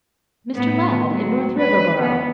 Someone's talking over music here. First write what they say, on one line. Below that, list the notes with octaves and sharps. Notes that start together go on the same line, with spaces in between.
"Mr. Ladd, in North Riverboro."
A2 B3
F#3
B4
B3